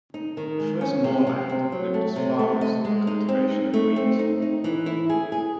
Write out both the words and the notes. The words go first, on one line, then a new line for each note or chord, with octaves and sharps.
The first Moorland lived as farmers of the cultivation of wheat.
D#4
D#3
G#3
C#4
C3
C3
C4
F#3
A3
C3
A3
D#5
G#3
D#4
C4
D#4
A3
C4
D#4
D#4
E3
E4
G#4
G#4